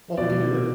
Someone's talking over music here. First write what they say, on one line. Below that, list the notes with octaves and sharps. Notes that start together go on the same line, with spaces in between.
Well, we can do, like,
B2 D5